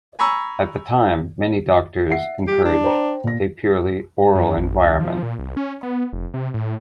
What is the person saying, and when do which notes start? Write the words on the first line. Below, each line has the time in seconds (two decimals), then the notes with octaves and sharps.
At the time, many doctors encouraged a purely oral environment.
0.19 G#5 A#5 B5 C#6 E6
2.10 E5 F#5 C7
2.47 G3 G4
2.65 D4
2.84 C5 G5 A#5
3.24 A#2 A#6
4.35 F#2
4.57 A1
4.79 C#2
5.00 F3
5.23 A#2
5.39 C2
5.57 C#4
5.83 B3
6.13 F1
6.34 C3
6.54 A2